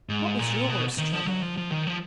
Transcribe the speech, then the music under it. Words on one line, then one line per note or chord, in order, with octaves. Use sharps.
"What was your worst trouble?"
G#2
A#2
B2
D#3
F3
F#3
F3
F3
D#3
F3